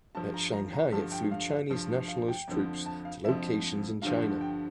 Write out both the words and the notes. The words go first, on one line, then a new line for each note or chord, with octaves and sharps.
At Shanghai it flew Chinese Nationalist troops to locations in China.
G2 F3 A5
A#5
A#5
A#5
G2 D3 F3 A5
G5
F5
G2 F3
F5
G5
F2 D3 F3
A5
F5
F2 D3 F3 E5
G2 D3 F3 F5
G5